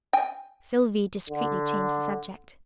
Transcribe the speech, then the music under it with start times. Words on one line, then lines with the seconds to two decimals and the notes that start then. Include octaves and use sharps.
Sylvie discreetly changed the subject.
0.13 G5 G#5
1.30 D3